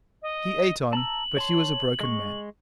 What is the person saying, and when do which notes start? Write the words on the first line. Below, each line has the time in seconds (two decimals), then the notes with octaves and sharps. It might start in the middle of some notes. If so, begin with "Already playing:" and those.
He ate on, but he was a broken man.
0.22 D#5
0.93 A5 A#5 E6 F#7
1.37 C#5 A5 C6
2.01 G#3 C#6